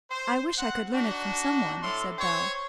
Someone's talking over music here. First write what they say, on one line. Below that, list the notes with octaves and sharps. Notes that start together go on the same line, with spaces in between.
"I wish I could learn it from some one," said Bell.
C5
C4 F#5
D4 D#4 F#4
A2 A4 C6
C5 C#5